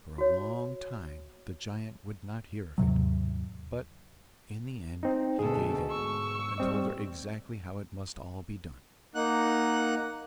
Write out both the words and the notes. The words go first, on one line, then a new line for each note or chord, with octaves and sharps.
For a long time the giant would not hear of it, but in the end he gave in, and told her exactly how it must all be done.
F#4 C#5
D#2 G#2 C3 F#3
C4 D#4
D2 B2 G#4 A4
G#2 C#6 E6
G3 C4 D#5
A#3 D#4 F#5 F#6